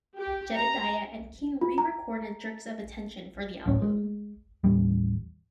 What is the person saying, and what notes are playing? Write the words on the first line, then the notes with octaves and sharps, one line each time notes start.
Jedediah and King re-recorded "Jerks of Attention" for the album.
G4
A#5
F4
A#5
D1 A1 C#4
G#3
A1 D#2 G3